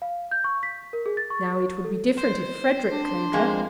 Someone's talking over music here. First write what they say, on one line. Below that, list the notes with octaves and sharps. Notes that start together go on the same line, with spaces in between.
Now it would be different if Frederick claimed her.'
F5
G6
C#6
B6
A#4
G#4
A6
C#6
A4
C5
D4
F2 G#3 A#3